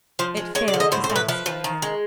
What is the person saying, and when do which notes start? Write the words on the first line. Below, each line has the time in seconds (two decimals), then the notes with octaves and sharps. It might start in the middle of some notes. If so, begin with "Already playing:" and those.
It failed to satisfy her.
0.19 F3 C5
0.37 G#3
0.55 G#3 C#5
0.68 D5
0.74 D3
0.80 D#5
0.92 A2 C5
1.04 C5
1.10 A2
1.16 B4
1.29 F3 B4
1.46 F3
1.64 D#3
1.82 G#3